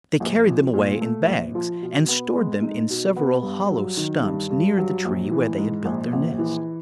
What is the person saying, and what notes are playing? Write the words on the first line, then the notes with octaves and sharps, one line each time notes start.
They carried them away in bags, and stored them in several hollow stumps near the tree where they had built their nest.
A#1
F3
A#2
A3
A#1
F3
B2
B3
G#3
D#4
B2
B3
G2
F#3
D#3
G2
G2
F#3
A#1
E3
G#2
A#1
A#1
E3